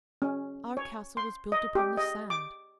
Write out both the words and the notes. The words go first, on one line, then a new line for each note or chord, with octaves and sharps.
Our castle was built upon the sand.
C#4
C#5
C6
D#5
G4
D#5
D6